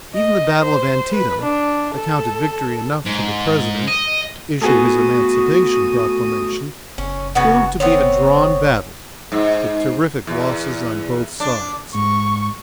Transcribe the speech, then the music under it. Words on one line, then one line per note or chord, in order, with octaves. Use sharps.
Even the battle of Antietam, accounted victory enough for the President to issue his Emancipation Proclamation, proved to be a drawn battle, with terrific losses on both sides.
D#5
C5
B4
D4
A4
G#2
D#5
A3 B3 F#4 G#4 A4 D#6
F#1 C#4
C#3 B3 F#4
B3 C4 C#5
G#2
E2
D4
G#2 G#3 C#6